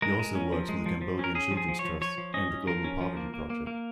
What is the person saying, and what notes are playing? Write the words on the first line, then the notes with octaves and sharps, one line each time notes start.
He also works with the Cambodian Children's Trust and the Global Poverty Project.
G#3 A#4
G#3
C#4
F3
G#3
F3
F3
C#4 A#4
C#4 G#4
F3
G#4
F3
C#5
F3
F3 C#5
F3
C#4 D#5
C#4
F3 A#4
C#4
F3
A#3
A#3
A#3
A#3